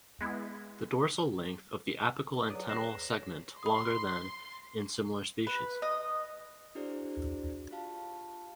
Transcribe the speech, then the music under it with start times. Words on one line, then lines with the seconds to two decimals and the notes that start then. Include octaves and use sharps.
The dorsal length of the apical antennal segment longer than in similar species.
0.21 G#3 B3 E4
2.50 F#3 G#4 B4 D5 D#6
2.69 F#6 A#6 C7 E7
3.63 B5 C6 D#6
5.47 B4
5.82 D#5
6.75 D4 E4 F#4 G#4 C5 D5
7.71 F4 G4 F5 A5